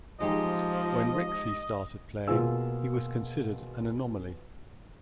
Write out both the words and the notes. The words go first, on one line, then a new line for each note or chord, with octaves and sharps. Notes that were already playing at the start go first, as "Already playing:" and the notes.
When Rixey started playing, he was considered an "anomaly".
F3 G#3 D#4 G4 D#5
B2 A#3 F4 G#4 E6